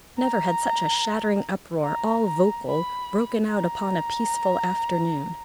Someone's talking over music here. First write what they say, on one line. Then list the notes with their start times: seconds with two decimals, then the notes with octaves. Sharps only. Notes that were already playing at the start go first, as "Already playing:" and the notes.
Never had such a shattering uproar, all vocal, broken out upon a peaceful afternoon.
0.18 A#5
1.83 A#5
2.25 A#5
2.67 B5
3.49 A#5